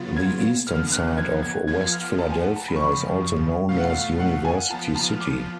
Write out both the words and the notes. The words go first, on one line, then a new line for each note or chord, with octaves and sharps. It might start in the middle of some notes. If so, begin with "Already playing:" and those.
The eastern side of West Philadelphia is also known as University City.
Already playing: C#3 F#3 B3 F4 A6
G#6
D3 F3 B3 F6
F6
F#6
F#6
G#6
G#6
F3 B3 F4 G#6
G#6
F6
A5
G#5
F#5
A5
F#2 C#3 F3 B5
C#6
B5
B2 A3 F4 F5
F#5
F5
F#5
G#5
F3 B3 F4 A5
A5
F6
D6